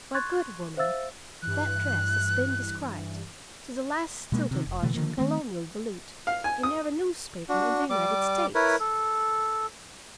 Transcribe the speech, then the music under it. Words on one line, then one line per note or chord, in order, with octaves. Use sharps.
"My good woman, that dress has been described, to the last stilted arch and Colonial volute, in every newspaper in the United States!"
C6 C#6 F#6 G#6 A6
C5 E5 F5 E6 A6
G2 E3 F#6
B2 G#3 A#3
C3 D#3
F1
B2 D3 E3 A3
D3 D#3 F3 A#3
D#3 A3 C4
F5
G#5
D#6
D4 F#4
G3 D6
E4 A#4 B4 C#5
A4